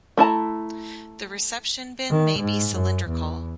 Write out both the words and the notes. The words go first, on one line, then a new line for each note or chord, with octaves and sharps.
The reception bin may be cylindrical.
A3 E4 A5 A#5
D#3
G#2
F#2
E2